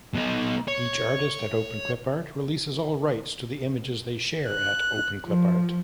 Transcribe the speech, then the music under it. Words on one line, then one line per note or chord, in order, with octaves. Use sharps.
Each artist at Openclipart releases all rights to the images they share at Openclipart.
B2 D#4
C#5
F#6
F3